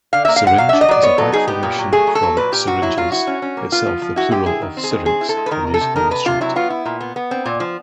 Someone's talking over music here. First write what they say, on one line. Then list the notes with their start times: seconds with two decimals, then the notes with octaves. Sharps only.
"Syringe" is a back-formation from "syringes", itself the plural of "syrinx", a musical instrument.
0.13 D3 F5
0.25 A#3 E5
0.36 F5
0.44 D3 F#5
0.58 F#3 F5
0.69 D4 E5
0.81 D#5
0.88 F#3 D5
1.03 B3 C#5
1.18 F#3 A4
1.32 D#4 G#4
1.47 B3 G4
1.63 A#2
1.78 F#3
1.92 A3 G#4
2.07 F#3
2.15 A4
2.23 F#3
2.37 A#2 B4
2.52 A#2 G4
2.67 A#2 F#4
2.82 F#3 E4
2.97 F#3 F4
3.12 E4 F#4
3.27 C#4
3.42 C#4
3.57 A#3
3.72 B3 F4
3.86 F3
4.02 F3
4.16 E4 F#4
4.31 G#3 G4
4.46 E4 G#4
4.62 D#3
4.77 C4
4.84 G#4
4.91 D#3
5.06 C4 G#4
5.21 E4
5.29 A4
5.37 G#3
5.46 B4
5.51 D#3 A#4
5.67 C3
5.74 A4
5.81 C3
5.96 D#3 A#4
6.11 C3 B4
6.25 C3 F4
6.41 F#3 E4
6.56 B3 F4
6.70 E4
6.86 A#2
7.01 B3
7.16 B3
7.31 C4
7.46 A#2
7.60 F3